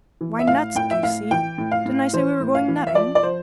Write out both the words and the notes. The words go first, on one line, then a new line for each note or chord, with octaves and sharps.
"Why, nuts, goosey; didn't I say we were going nutting?"
E3
E5
A2 F5
A2 G5
E5
A2 F5
E3 G5
A2
F5
A2
E3 C5
A2
F5
E3
E5
F3 D5
D5
F3 C5